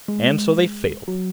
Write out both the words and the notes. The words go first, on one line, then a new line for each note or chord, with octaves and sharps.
And so they failed.
G#3
F#3